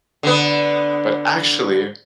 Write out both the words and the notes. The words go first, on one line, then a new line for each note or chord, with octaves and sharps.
But, actually
D3 B3